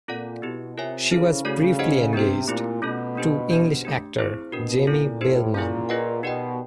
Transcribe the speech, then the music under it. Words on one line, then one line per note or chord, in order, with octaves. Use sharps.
She was briefly engaged to English actor Jamie Belman.
A#2 C4 F4 A4 D5 F#5
B2 B3 E4 G4
C3 F4 A#4 C#5 E5 G#5
C#3 E4 A4 C5
C#3 A3 C#4 F#4 A4 D5
D#4 G4 C5 D#5 F#5
C3 B3 D4 G4 C5
A#2 A3 C4 E4 G4
B2 A3 C#4 F4 A4
A#3 D4 G4 C5
D4 G4 C5
A3 D4 G4
C4 E4 G#4 C5
B2 D4 F#4 A#4
A#2 C#4 E4 A4
A2 D#4 G4 C5
A#2 C#4 E4 G#4
F4 G#4 B4 D#5 F#5
B2 D#4 G4 A#4 D5 G5